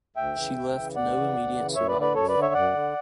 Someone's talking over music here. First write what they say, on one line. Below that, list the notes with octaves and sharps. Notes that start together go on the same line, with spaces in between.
She left no immediate survivors.
D2 E5 G5
C#3 E3
D2
C#3 E3
D2 D5 F#5
C#3 E3
D2
C#3 E3
F#2 C#5 E5
B4 D5
D3
B4 D5
F#2 A4 C#5
B4 D5
D3
C#5 E5
F#2 D5 F#5
D3